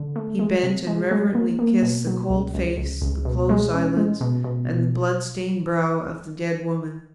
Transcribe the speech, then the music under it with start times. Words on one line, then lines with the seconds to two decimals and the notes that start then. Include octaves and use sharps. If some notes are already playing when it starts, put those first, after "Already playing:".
He bent and reverently kissed the cold face, the closed eyelids and the blood-stained brow of the dead woman.
Already playing: D3
0.16 A3
0.39 G#3
0.63 C3
0.87 G#3
1.11 G#3
1.35 A#3
1.59 A#3
1.82 B2
2.07 F#3
2.30 C#2
2.54 C#2
2.77 C#2
3.02 C#2
3.25 B2
3.49 G#3
3.73 C#4
3.97 G#3
4.21 B2
4.44 B2
4.68 B2